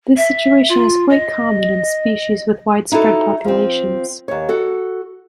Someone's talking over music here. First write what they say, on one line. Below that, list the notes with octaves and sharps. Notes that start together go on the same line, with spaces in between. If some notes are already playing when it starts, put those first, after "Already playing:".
This situation is quite common in species with widespread populations.
E5
F4
D#5
D#4 E4 F#4 A4
F3 C4
D#2 C#5
F#4 A4